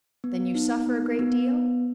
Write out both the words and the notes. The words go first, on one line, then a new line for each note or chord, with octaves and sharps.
"Then you suffer a great deal?"
B3
D#4
B3
B3